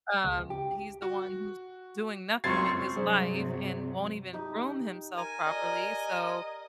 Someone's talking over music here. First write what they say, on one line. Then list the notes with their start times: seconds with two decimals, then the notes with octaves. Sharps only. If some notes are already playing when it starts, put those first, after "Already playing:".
um, he's the one who's doing nothing with his life and won't even groom himself properly, so,
0.24 C#2
0.50 G4
1.02 F#4
2.44 F1 C#2 F#2 C4 C#6 G#6 A6 C7
2.96 G2 C3 F#3 G#4 C5 D5 E5
4.33 D#4 G4
5.17 A#4 G#5
5.46 D5 D#5